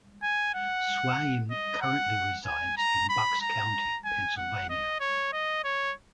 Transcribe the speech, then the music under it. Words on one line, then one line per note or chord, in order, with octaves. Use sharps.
Swaim currently resides in Bucks County, Pennsylvania.
G#5
F#5
D#5
F#5
G#5
A#5
B5
A#5
G#5
F#5
D#5
C#5
D#5
C#5